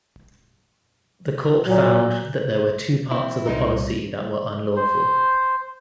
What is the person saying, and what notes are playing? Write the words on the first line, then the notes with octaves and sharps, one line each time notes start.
The court found that there were two parts of the policy that were unlawful.
A#2 F#3
C4 E4
C2 A#2 G#3 D#4 A#4
C5